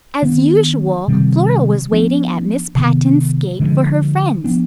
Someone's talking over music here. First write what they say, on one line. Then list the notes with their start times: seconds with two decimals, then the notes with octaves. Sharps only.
As usual Flora was waiting at Miss Patten's gate for her friends.
0.22 D#3 B3 D4
1.08 C3 D#3 G3 C4
1.92 F3 B3 D4
2.75 C3 D#3 B3
3.60 D3 F3 G#3 D4
4.44 F3 B3 D4